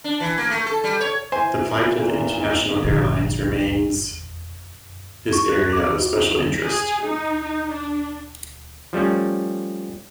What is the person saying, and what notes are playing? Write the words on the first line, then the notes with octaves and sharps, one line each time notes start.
The plight of the international airlines remains his area of special interest.
D4
E3
A#3
A3
A4
G3
C#5
E3 C5 G#5
A#2
G#1 A#2 D3 F3
C#6
F#6
D6
F#4
G#4
D#4
D#4
D4
F3 G3 A3 C#4